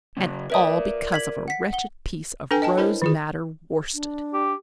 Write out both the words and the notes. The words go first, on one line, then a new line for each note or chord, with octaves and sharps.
And all because of a wretched piece of rose-madder worsted. . . .
C#3 F#3 C#4
A#4 B4 D5 E5 D#6
G#6 B6 F#7
F#5 B6
F#5 G7
D4 A4 B4 G5 G#5
D#5 G5 A5
E4 A#4 C5 C#5 D#5
D#3 F4 G#4
D4
G4